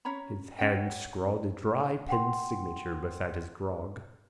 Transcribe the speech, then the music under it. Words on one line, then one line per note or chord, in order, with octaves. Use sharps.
His hand scrawled a dry pen signature beside his grog.
C#4 C#5 A#5 B5
C#4 D4 F#5 G5
F#5 G5 C6